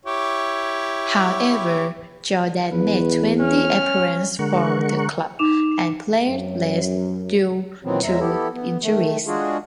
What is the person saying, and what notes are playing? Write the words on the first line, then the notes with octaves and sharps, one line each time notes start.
However, Jordan made twenty-appearance for the club and played less due to injuries.
E4 G4 C#5
E2 B4
C#4 F6
D3 G#3 A#4 F#5 C#6
D#4 D6 E7 F7
F#2
A#2 D#3 E3 F#3 B3 C4
E2 F#3 G#3 E5 A#5
B3 E4 G4 A4
B3
D#3 A3
G#3 D4 F4 F#4 G#4